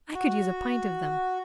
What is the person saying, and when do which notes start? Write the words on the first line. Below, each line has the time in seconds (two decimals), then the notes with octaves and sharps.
I could use a pint of them!
0.15 F#4